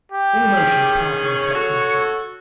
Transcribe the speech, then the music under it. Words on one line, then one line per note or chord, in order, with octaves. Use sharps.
All emotions powerfully affect muscles.
G4
D#3 C#4 G#4
C#5
F#4 A4